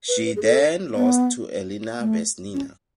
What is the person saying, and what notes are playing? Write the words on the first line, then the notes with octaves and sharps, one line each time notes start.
She then lost to Elena Vesnina.
B4
B4
G#4
A4
B3
A3
C#4